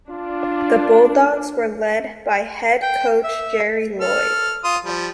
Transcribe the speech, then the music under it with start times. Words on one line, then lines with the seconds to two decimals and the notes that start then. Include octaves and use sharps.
The Bulldogs were led by head coach Jerry Loyd.
0.10 D4 F4
2.82 G5
3.24 E5
4.01 A4 F6
4.64 F4 C6 D#6
4.85 F3 G3